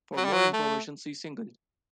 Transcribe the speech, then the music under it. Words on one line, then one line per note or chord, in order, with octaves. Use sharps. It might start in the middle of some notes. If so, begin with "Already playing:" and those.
For more information, see single.
F#3
G3
F#3
A3